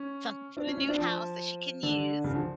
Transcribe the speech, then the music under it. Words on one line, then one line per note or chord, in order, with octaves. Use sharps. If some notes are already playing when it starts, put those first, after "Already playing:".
Something for the new house that she can use.
Already playing: C#4
D4
C#4
C#4
D4
F3
D3
C#3
D3
F3